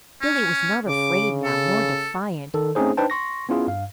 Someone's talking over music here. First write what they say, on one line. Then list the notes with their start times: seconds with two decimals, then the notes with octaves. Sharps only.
Billy was not afraid now, nor defiant.
0.22 C#4
0.88 C#3 D6
1.44 A4
2.54 D#3 A4
2.75 A3 C4 C#4 D#4 G#4 C5
2.97 D4 D#4 B4 C5 G5 A5
3.10 C6 C#6 A#6
3.49 B3 C#4 E4 F4 G#4
3.68 G2 F5